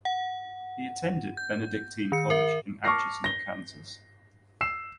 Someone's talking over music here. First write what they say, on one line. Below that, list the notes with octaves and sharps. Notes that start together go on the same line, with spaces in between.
He attended Benedictine College in Atchison, Kansas.
F#5
G6
D#3 C#7
A#4 E5
A5 C#6 D6 F6 A#6 C7
A#6 G7
E6 C7 E7